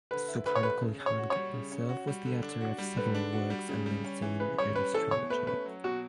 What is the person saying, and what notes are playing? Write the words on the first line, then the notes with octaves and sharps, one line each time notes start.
Subhan Quli Khan himself was the author of several works on medicine and astrology.
D3 B4
E4
D3 B4
C#5
A3 B4
C#3
C#4
C#5
F#4
G3 C#5
C#3
C#4
F#4
G3
D3
D4
F#4
G3
D3 B4
D4
F#4
G3
C#3
G3
C#4
E3
C#3 B4
G3 C#5
C#4 B4
E3 A4
B2 C#5
A3 B4
C#4 B4
F#3
B2 F#4